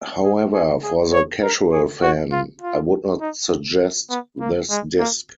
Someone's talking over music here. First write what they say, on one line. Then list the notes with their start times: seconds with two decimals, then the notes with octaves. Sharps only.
However, for the casual fan, I would not suggest this disc.
0.23 G#4
0.53 G#4
0.83 G#4
1.13 C#5
1.42 A#4
1.72 G#4
2.02 F#4
2.32 F4
2.61 F4
3.21 D#4
4.10 B3
4.40 A#3
4.70 G#3
4.99 A#3